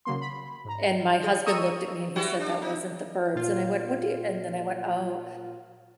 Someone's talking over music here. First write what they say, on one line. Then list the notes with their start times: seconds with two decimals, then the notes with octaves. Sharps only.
And my husband looked at me and he said, "That wasn't the birds," and I went, "What do you" and then I went, "Oh,
0.05 C#3 F#3 A#3 C6
0.21 B5
0.65 G#2 A#5
1.23 G#4
1.46 D#5 A#5 C#6 D#6 E6 D#7
2.16 G3 E4 F#4
2.40 D4
2.62 D#4
3.35 A#2 F4